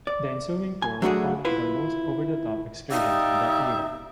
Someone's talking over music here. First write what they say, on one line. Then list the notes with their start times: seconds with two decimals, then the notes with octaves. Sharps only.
The ensuing tour was one of the most over-the-top excursions of that era.
0.07 D5
0.82 G#5
1.02 F#3 A3 D4 F4 F#4 G#4
1.45 E4 F4 B4
2.91 D#4 G4 D5 E5 F5